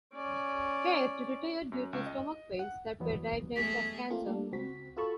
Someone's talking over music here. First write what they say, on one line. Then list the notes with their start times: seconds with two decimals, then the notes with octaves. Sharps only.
Caird retired due to stomach pains that were diagnosed as cancer.
0.13 C#4 D5
1.72 F#2
1.93 C#2
2.06 D#5
2.59 F#5
3.00 E2 F#3 B3
3.56 G#3 A3 G#4 B6
4.10 A3 A#3 C4 F4
4.26 G3 A3 A#3 D4
4.52 C#2 C4 F#4 B6
4.96 F4 F#4 A4 A5 B5 C#6